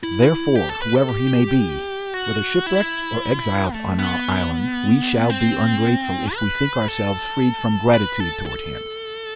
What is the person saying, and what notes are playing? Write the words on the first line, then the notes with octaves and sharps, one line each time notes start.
Therefore, whoever he may be, whether shipwrecked, or exiled on our island, we shall be ungrateful, if we think ourselves freed from gratitude towards him.
E4
G4
A4
B4
A4
G4
F#4
E4
A3
B3
C4
B4
A4
B4
A4
A4